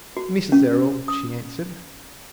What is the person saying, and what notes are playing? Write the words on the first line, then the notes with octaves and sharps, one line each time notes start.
"Mrs. Errol," she answered.
F#4
C#4
D#6